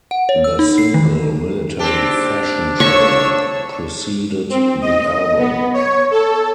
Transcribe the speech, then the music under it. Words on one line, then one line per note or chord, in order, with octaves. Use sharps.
The single "Military Fashion Show" preceded the album.
F#5
C#5
E6
D#4
C7
D#3
C4 D4 G4
F3 C#5 C#6 E6
C4
D#5
B3
C#5
A4